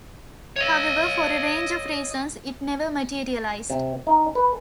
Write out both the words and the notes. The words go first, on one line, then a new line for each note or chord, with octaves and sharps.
However, for a range of reasons it never materialised.
C#5 D#5
C3
D#4
B4